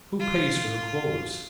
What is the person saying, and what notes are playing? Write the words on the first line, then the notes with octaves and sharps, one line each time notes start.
Who pays for her clothes?
F4